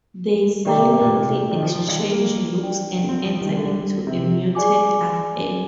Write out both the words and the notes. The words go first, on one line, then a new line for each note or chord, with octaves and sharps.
They silently exchange looks and enter into a muted affair.
D#3 G4 D5 G5 A#5 D6
C3
C3
A#2
C3
D#3
F3
F3
G3
G#3
A#3
D4 G4 D5 G5
C4
F3
D#3
D3
C3
G#4 D5 G#5 D6